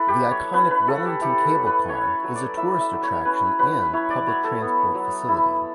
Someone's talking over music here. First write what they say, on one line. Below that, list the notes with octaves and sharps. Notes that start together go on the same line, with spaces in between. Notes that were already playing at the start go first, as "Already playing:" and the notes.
The iconic Wellington Cable Car is a tourist attraction and public transport facility.
Already playing: E4 A4 B4
G4
F#3
C#5
C#4 B4
B4
F#3 A4
G4
E4 G4
A4
F#3
B4
C#4 C#5
F#3
D5
E4 E5
E5
F#3
C#5
C#4 B4
F#3 B4
E4 C#5
D5
F#3 C#5
A4
B3
F#3
E4